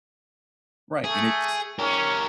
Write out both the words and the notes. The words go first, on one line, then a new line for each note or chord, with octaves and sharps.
Right, and it's
A3 G#4
C#4 G4 A#4